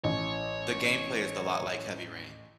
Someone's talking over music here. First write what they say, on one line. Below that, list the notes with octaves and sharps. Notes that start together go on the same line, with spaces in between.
The gameplay is da lot like Heavy Rain,
A1 C#5